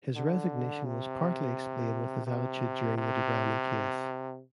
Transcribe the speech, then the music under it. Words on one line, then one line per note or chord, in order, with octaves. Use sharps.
His resignation was partly explained with his attitude during the Dibrani case.
D3
C3
C3
C3